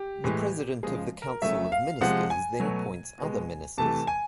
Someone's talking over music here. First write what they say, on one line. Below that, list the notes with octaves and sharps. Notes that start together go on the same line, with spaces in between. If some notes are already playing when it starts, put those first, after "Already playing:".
The President of the Council of Ministers then appoints other ministers.
Already playing: G4
A2 E3 G#3
C#3 F3 G#3 G#4
A#4
C#3 F#3 A3 E5
F5
C3 F3 G#3 F#5
G#5
B2 F#3 A3
B2 G#3
C3 E3 A3 A5
G#5